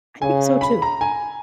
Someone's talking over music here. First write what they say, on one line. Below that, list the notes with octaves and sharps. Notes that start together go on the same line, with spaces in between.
I think so too.
C#3 G#5
B5
A#5
G#5